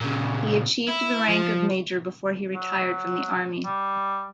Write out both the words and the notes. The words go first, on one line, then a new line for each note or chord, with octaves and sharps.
He achieved the rank of major before he retired from the army.
A#2 C#3
E4
F3
F#3
G3